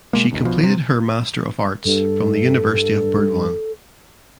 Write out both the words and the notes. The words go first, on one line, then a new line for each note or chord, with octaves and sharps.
She completed her Master of Arts from the University of Burdwan.
B2 G#3 A#3
F#1 D2
A#1 B2 F3
C3
G2 A4